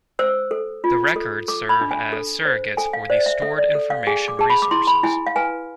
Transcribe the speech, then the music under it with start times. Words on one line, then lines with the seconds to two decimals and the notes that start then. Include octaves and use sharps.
The records serve as surrogates for the stored information resources.
0.19 C5 E6
0.51 A4
0.84 F4
1.16 A4
1.48 A4 D6
1.69 B5
1.81 D4
1.91 G#5
2.12 A4
2.45 C5
2.77 A4 G#5
2.93 F5
3.10 C5 D5
3.26 E5
3.42 A4 E5
3.58 D5
3.75 A4
3.90 F5
4.07 G#4 G#5
4.28 D6
4.39 G#4 A5
4.50 B5
4.62 D6
4.71 E4 C6
4.87 B5
5.03 E4 G#5
5.27 F5
5.36 B4 G#5